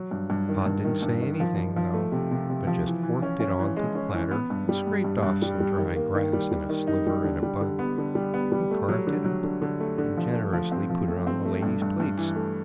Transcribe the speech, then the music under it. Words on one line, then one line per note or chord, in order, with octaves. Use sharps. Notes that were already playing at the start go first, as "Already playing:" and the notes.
Pod didn't say anything, though, but just forked it on to the platter and scraped off some dry grass and a sliver and a bug, and carved it up and generously put it on the ladies' plates.
Already playing: F#3
G2
G2
D#3
G2
D#3
G2
D#3
F3
F3
F3
A3
C3
C3
C3
F3
E3
E3
C#4
C#4
E3
G#3
C#4
E3
B3
G2
G3
G2
G2
G2
G3
G3
D#3
A#3
D#3
G3
G3
D#3
D#4
G3
D3
G3
D3
B3
D3
G3
B3
G3
A3
F#3
D3
F#3
D3
D3
A3
D3
F3
A3
F3
C4
F3
A3
C4
A3
G2
G2
G2
E3
A3